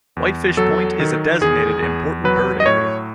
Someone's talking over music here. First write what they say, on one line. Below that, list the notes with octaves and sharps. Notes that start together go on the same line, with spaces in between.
Whitefish Point is a designated Important Bird Area.
E2
F#3 A4
D#3
E2 G#4
E2
F#3 B4
D#5
A2 C#5